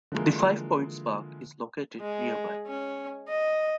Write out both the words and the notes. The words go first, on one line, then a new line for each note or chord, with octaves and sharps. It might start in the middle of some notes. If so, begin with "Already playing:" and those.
The Five Points Park is located nearby.
D3 E3 F3 G#3 A#3
G#3
C#4
D#5